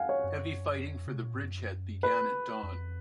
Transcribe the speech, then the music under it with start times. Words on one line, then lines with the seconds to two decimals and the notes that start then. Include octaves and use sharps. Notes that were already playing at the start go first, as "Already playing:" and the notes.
Heavy fighting for the bridgehead began at dawn.
Already playing: F5 F#5 G#5
0.09 C#5
0.24 F#2
0.83 F2
1.07 C#3
1.16 B2
1.25 A#2
1.34 G#2
1.43 F#2
2.03 B4
2.63 F2